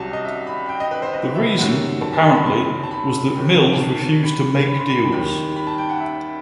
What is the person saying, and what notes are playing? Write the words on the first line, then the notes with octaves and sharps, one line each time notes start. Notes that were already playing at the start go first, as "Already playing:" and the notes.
The reason, apparently, was that Mills refused to make deals.
Already playing: C2 C3 F#3 A5
D#5
E5
B5
G5
D#5
B4
C5
D#5
E5
F#2 D#3 G3 F#5
A5
A5
B5
B5
C6
A5
B5
D#2 D#3 G3
A5
B5
B5
C6
B5
D#2 D#3 G3 B5
B5
A5
G5
F#5
E5